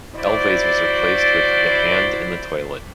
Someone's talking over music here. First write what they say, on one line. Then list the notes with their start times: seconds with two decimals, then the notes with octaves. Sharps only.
Elvays was replaced with "the Hand in the Toilet".
0.14 E4 F#4 C5 D5